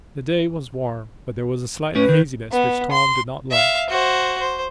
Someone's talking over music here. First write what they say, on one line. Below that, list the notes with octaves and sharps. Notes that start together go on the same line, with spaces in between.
The day was warm, but there was a slight haziness which Tom did not like.
A2 C#4 B4
D#3
B3
C6
E5 F5
F#4 C5
C5